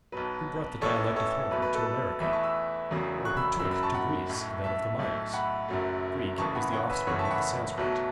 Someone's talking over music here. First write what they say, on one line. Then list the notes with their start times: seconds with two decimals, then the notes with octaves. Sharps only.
Who brought the dialect of Homer to America? or who took to Greece that of the Mayas? Greek is the offspring of the Sanscrit.
0.12 B1 B2 F#3 B4
0.81 A1 A2 E3 A4 C#5
1.16 A4 C#5
1.51 B1 B2 A3 B4
1.62 B4
1.74 A4
1.86 B4
2.20 E2 E3 A3 B4 E5
2.33 A5 C#6
2.43 B5 E6
2.90 E1 E2 C#3 F#3 A3
3.25 C#6 F#6
3.37 B5 E6
3.59 F#1 F#2 F#3 B5 E6
3.71 B5 E6
3.83 A5 C#6
3.94 F#5 B5
4.29 B1 A2 A3
4.64 E5 A5
4.99 B1 A2 A3
5.34 F#5 B5
5.68 F#1 F#2 F#3 A3
6.38 F#1 E2 C#3 E3 A3 A5 C#6
6.55 F#5 B5
6.73 C#5 F#5
6.89 B4 E5
7.07 F#1 E2 C#3 E3 A3 C#5 F#5
7.19 E5 A5
7.25 C#6
7.30 F#5 B5
7.77 B1 B2 F#3 A3